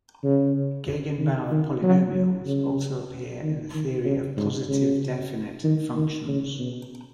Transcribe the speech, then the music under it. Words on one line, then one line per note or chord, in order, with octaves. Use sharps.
Gegenbauer polynomials also appear in the theory of Positive-definite functions.
C#3
D#3
D#3
F#3
F#3
C#3
D#3
D#3
C#3
G#2
C#3
D#3
D#3
C#3
B2